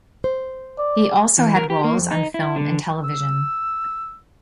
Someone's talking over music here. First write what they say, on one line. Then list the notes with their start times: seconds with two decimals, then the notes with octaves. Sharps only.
He also had roles on film and television.
0.24 C5
0.79 D5
1.38 E3
1.56 A#4
1.70 G4
1.84 A#3
1.98 F2
2.11 D#4
2.34 E4
2.56 D3
3.04 E6